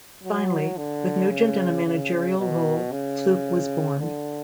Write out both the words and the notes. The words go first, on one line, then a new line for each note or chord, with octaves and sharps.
Finally, with Nugent in a managerial role, Fluke was born.
F#3
D3
C#3
C#3
B2
C#3
D3